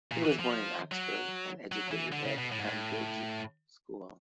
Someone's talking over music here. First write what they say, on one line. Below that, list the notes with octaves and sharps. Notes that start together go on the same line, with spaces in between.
He was born in Oxford, and educated at Tonbridge School.
A#2
E3
F3
F#3
F#3
E3
D3
C#3
B2
A2
G#2
A2